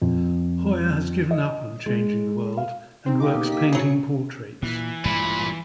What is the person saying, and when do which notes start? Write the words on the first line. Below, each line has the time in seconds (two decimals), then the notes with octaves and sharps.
Hoyer has given up on changing the world, and works painting portraits.
0.02 F2
1.31 D#5
1.86 G#3
2.57 F5
3.06 C4 D#4
3.20 A#3 G4 D#5 D6
3.35 B2
3.52 B6
3.73 F#3 G#4 C#7
4.62 A#2 E3
5.05 A1 G2 A#2 G#3 B5